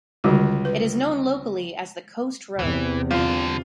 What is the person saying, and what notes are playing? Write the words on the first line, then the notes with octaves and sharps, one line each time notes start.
It is known locally as the Coast Road.
C#2 D3 G3 F#4
B4
E2 C3 E3
D3 G3 F4